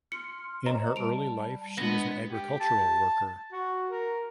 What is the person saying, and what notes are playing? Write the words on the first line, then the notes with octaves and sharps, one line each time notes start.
In her early life she was an agricultural worker.
C6 F6 C#7
C5 C#5 D#5 A#5
G3 A5 D7 F7
G#3 B3 D4 G#6 A#6
G4
A5
F#4
A#4